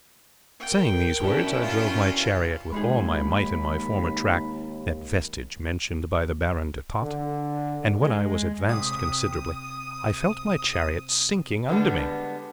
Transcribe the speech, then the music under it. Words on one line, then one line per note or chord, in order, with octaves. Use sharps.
Saying these words, I drove my chariot with all my might in my former track, that vestige mentioned by the Baron de Tott, and when I was advanced considerably, I felt my chariot sinking under me.
A#4 G5
B2 C#4 D4 E4
F4
D#2 G#3 D#4 G#4 B5
D3
G#3
C3 D#6
D3 G3 G#3 B3 D4